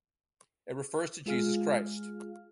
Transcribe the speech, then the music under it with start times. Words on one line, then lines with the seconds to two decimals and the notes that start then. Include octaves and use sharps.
It refers to Jesus Christ.
1.26 G#3 F4 G#4 F5 F6